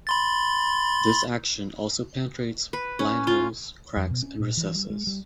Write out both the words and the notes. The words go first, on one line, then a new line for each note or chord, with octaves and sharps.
This action also penetrates blind holes, cracks, and recesses.
B5 C6 A6
B4
C#4
F4
F2
B2
C#4
A#2
E3
G3
G#3
G3